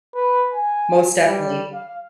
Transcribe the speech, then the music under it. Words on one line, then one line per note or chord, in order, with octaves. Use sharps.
Most definitely.
B4
G#5
G3
F5